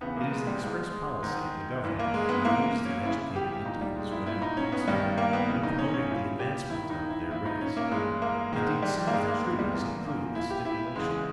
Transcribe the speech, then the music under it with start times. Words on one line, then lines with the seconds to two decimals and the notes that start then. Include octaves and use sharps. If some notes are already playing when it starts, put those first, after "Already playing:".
It is the express policy of the Government to use the educated Indians, whenever possible, in promoting the advancement of their race; indeed some of the treaties include this stipulation.
0.01 E2 C#3 E3 B3
0.16 A#3
0.31 G#3
0.47 G3
0.62 G#2 E3 G#3
0.92 G#3
1.23 G#2 D#3
1.84 G2 E3
1.99 A#3
2.14 G#3
2.29 B3
2.44 G#2 E3 A#3
2.85 C#4
3.05 E2 C#3 E3 E4
3.36 G4
3.65 A#2 D#4
3.81 G3
3.96 G#3
4.11 E4
4.26 A#2 E4
4.42 D#4
4.57 C#4
4.72 B3
4.88 G2 D#3 G3
5.18 A#3
5.33 B3
5.48 E2 C#3 E3
5.63 D#4
5.78 C#4
5.94 C#4
6.09 A#2 E4
6.39 G4
6.70 G2 D#3 E4
6.90 D#4
7.10 E4
7.31 A#2 E4
7.46 D#4
7.61 C#4
7.77 A#3
7.91 G2 E3 G#3
8.22 A#3
8.52 G#2 D#3 G#3
8.83 G3
9.07 A#3
9.13 G2 D#3 G#3
9.28 A#3
9.44 B3
9.51 G#3
9.59 G3
9.74 E2 C#3 E3 A#3
10.04 A#3
10.35 A#2 E4
10.50 G4
10.65 E4
10.96 E2 C#3 E3 G#3
11.11 G#3